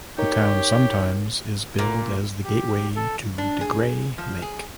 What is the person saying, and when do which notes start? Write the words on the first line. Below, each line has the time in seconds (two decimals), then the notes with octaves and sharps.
The town sometimes is billed as "The Gateway to DeGray Lake".
0.18 D#4 G4 A#4 C#5
1.79 A#2
2.44 G4
2.96 A4
3.38 D4
3.61 G#4
4.18 F3
4.42 G#4